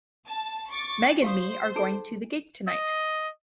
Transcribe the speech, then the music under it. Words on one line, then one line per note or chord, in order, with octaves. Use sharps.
Meg and me are going to the gig tonight.
A5
C#6 D6 A6
G4 C5 F5 D#6
D#4 G#4 A4
D#5